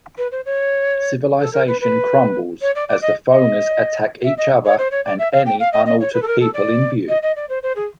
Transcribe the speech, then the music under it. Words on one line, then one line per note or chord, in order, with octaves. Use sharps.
Civilization crumbles as the "phoners" attack each other and any unaltered people in view.
B4
C5
C#5
A4
A#4
B4
B4
C#5
D5
D5
D#5
D#5
E5
D#5
C#5
C5
C#5
D5
E5
F5
G5
F5
D#5
D#5
C#5
B4
A4
A#4
A4
D5
D#5
D#5
D5
C5
C5
G#4